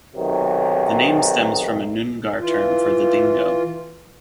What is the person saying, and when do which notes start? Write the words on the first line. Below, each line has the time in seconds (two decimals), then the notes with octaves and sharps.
The name stems from a Noongar term for the dingo.
0.15 B1 C3 D#3 F#3
2.39 E3 F4